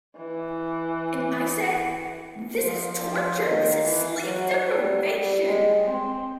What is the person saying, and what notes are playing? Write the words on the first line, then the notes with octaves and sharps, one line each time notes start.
I said, 'This is torture, this is sleep deprivation'.
E3
F3
F3
D#3
E3
F#3
G3
G3
G#3
C4